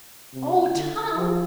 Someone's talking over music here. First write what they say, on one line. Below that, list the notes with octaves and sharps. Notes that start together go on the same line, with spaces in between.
"Oh, Tom!"
C3
D3
F3